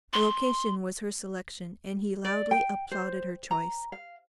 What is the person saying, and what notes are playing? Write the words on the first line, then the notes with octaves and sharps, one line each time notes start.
The location was her selection and he loudly applauded her choice.
C6
D5
G5
C5
A#5
F5